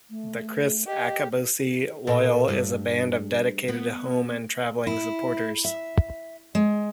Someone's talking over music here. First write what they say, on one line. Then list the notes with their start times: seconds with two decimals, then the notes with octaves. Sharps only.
The Kriss Akabusi Loyal is a band of dedicated home and traveling supporters.
0.10 A3
0.87 G4 D#5
2.07 A#2 A4 A#4
2.48 G2
3.68 B3
4.87 E4
5.65 E5
6.55 G#3